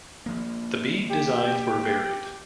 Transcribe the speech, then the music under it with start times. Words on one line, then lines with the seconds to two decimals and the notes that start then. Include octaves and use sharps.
The bead designs were varied.
0.26 F3 A#3
1.09 G4